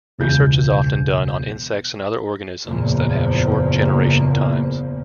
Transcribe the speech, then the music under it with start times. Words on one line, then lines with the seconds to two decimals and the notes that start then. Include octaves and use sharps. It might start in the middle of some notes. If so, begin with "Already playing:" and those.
Research is often done on insects and other organisms that have short generation times.
0.19 E1 C#2 G#4 G6
2.65 F#1 E2 A#2 F3 A#3